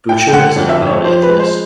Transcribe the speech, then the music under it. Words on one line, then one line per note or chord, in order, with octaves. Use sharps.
Boucher is an avowed atheist.
A2 G5
G5
D3 F#5
F2
E5
F2
C#5
F3 C5
B4
G#3
C5